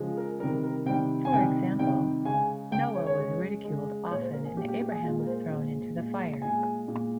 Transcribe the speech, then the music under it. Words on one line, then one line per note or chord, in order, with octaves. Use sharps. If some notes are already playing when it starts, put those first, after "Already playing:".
For example, Noah was ridiculed often and Abraham was thrown into the fire.
Already playing: C#3 F3 G#3
A#4
C3 D#3 G3 A#4
A#4
C3 D#3 G3 G5
G#5
C3 D#3 G3 G5
C3 D#3 G3 G5
C#3 G#3 G#5
C#3 G#3 G5
C#5
C#5
C#3 G#3
C#3 G#3
A#2 G#3 C#5
C5
A#4
G#4
A#2 G#3 G4
G4
G4
G#4
A#2 G#3 F4
A#4
C5
A#2 G#3
A#2 G#3
A#2 G#3 G#5
A#2 G#3